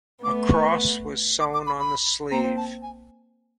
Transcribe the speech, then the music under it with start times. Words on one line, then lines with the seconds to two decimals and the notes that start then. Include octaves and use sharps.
A cross was sewn on the sleeve.
0.24 A3 B3 D6
0.50 C#6
1.40 D6
1.54 D6
1.67 B5
1.79 B5
2.31 A#3 C4 A#5
2.57 A5
2.82 G#5